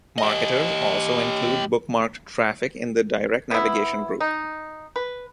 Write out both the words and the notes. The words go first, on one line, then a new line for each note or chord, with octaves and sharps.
Marketers also include bookmarked traffic in the direct navigation group.
G4 D#5
B3 E4
D#4
B4